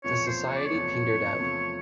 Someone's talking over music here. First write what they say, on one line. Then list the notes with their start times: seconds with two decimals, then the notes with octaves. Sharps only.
The society petered out.
0.04 E2 C3 F3 A3 C#5
0.27 C5
0.48 C#5
0.57 D5
0.66 C#5
0.71 E2 C3 F3 A3
1.38 E2 C3 F3 A3